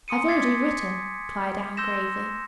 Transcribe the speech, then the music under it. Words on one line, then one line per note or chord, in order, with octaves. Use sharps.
"I have already written," replied Anne gravely.
G#5 C6 D#6 C#7 D#7
D6 G#6 A6 B6 C7
C6 E6 G6 A#6 E7